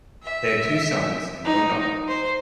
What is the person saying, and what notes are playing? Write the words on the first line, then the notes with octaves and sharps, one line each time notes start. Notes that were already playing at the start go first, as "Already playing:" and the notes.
They had two sons, and one daughter.
E5
D#4
C5